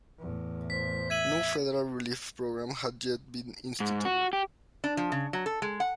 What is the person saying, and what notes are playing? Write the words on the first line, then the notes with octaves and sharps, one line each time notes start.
No federal relief program had yet been instituted.
E2 A2
C5 B6
E5 G#6 D#7 F#7
G#2
F#4
G4
D4
F3
C#3
F#3
A4
G#3
F#5